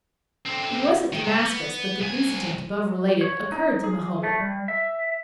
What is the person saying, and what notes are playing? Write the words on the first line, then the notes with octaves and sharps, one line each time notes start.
It was at Damascus that the incident above related occurred to Mahomet.
D3 C4
D#3
C3
B3
C2 G#5
C#5
D#4
G#4
A3
G3
E5